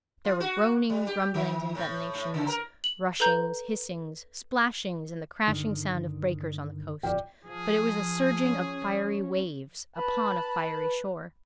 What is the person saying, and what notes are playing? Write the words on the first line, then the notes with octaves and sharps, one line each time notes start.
There were groanings, rumblings, and detonations; rushings, hissings, splashings, and the crashing sound of breakers on the coast; but it was the surging of fiery waves upon a fiery shore.
F4
F#4
G3
G4
D#3
A2
A2
C#3
A#4
F#7
A4 B4 A#5 G6
G2 D3 D#3
D1 F3 D5 G5
F3 G#4
C#4
B4 A5 B5